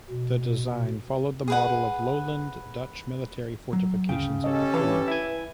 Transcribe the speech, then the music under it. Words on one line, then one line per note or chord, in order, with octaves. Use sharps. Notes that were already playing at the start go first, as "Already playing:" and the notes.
The design followed the model of lowland Dutch military fortifications of the period.
B2
G#4 B4 F#5
F#3
D2 G2 C#3 G5
C#4 G4 A4 D#5
E3 D4 B4 C#5 F5 A5
E4 E5 G#5